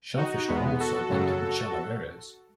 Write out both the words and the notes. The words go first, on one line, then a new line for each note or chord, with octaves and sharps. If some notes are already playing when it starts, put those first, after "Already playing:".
Shell fish are also abundant in shallow areas.
D#4 F#4
E2 B2 G#3 B3
F#4 A4
F#2 C#3 F#3